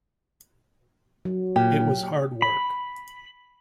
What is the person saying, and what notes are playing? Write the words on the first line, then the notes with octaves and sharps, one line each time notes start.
It was hard work.
F#3
A#2 G4
B5